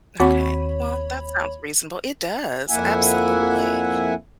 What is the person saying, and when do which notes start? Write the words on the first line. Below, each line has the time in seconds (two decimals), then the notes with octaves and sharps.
Okay. Well, that sounds reasonable. It does, absolutely
0.20 D#2 C4 F#4 C#5 F#5 B5
2.70 F2 A#3 E4 E5 F#5 G#5